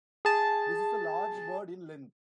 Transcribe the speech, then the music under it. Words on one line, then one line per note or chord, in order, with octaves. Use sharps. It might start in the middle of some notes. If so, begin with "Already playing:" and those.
This is a large bird, in length.
G#4 A5